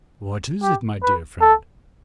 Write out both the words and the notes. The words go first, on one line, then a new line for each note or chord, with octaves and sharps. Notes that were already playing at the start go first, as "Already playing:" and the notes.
"What is it, my dear friend?"
G4
B4
A4